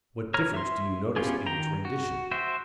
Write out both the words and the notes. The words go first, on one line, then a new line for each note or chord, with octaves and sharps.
What difference do you notice in its rendition?
C#5 A#5 F6
E5 C6
B3 C#4 F4 G4 G#4
D#3 G5 A#5
F#4
F#4 C5 E5 G5